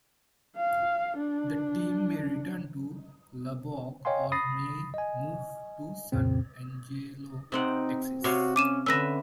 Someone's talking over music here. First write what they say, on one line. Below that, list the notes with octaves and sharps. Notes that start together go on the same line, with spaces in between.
The team may return to Lubbock or may move to San Angelo, Texas.
F5
D4
C#5 D#5 F5 G5 G#5 C6
B5 D#6 A6 A#6 C7
D#5 G#5
C2 F2 A#2 C#3 C4
C3 C4 D#4 F#5
C3 F#4 C#5 F5
C#4 D6 D#7 E7
D3 C#4 B4 E5 E6 A#6